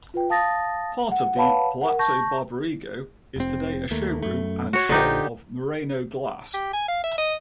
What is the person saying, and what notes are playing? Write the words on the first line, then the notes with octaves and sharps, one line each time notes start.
Part of the Palazzo Barbarigo is today a showroom and shop of Murano glass.
F4 B4 G5
F5 A5 D#6 A6 A#6
F#5
B4 C#5 F5 F#5 A5 B5
A#4 F#5
A5 C#6 G6 A#6
F1 C4
D#2 A3 A#3
F#2 A3
F#4 C#5
A#1 D3 F3 D#4 G4
G4
G#5
F5
E5
D#5